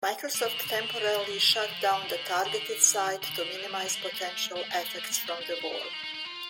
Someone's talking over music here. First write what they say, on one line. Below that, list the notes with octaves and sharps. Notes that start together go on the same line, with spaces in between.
Microsoft temporarily shut down the targeted site to minimize potential effects from the worm.
A3
D#3
D3
D#3
D3
D#3
D3
D#3
A3
F3
D#3
D3
F3
F3
D#3
D#3
D3
D#3
D3
D#3
A3
G3
D#3
A3
G3
A3
A3
A#3
A3
A3
A#3
C4
D#4
D#4
D#4
D4
F4
D#4
D#4
D#4
F4